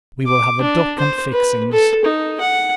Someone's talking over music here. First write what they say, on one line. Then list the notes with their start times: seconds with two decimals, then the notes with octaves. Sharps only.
We will have a duck and fixings.
0.27 D6
0.62 D4
0.99 C5
1.32 B4
1.72 A4
2.05 D#4
2.40 F#5